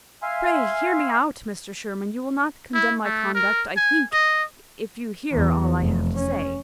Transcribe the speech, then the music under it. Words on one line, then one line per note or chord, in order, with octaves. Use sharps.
"Pray hear me out, Mr. Sherwin: you will not condemn my conduct, I think, if you hear all I have to say."
E5 F5 G#5 C6
E4
A3
A#4
G#5
D#5
E2
F1
C#4